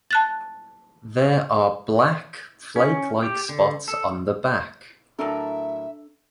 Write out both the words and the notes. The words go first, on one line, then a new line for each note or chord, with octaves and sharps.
There are black flake-like spots on the back.
A5 F#6 A6
C#4
G4
D3
A4
A2 F#3 D4 A4 A#4 D5 E5